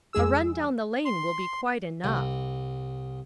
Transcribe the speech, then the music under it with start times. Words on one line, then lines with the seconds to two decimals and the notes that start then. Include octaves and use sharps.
"A run down the lane will be quite enough."
0.13 F2 G#3 G#4 E6
1.05 C6
2.04 C2